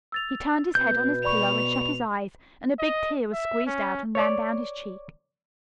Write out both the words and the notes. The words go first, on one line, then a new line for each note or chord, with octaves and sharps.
He turned his head on his pillow and shut his eyes and a big tear was squeezed out and ran down his cheek.
E6 A6 F7
B2 B4 G6
D5 B5 C#6 F7
D#5
E5
C#4
C#5 D5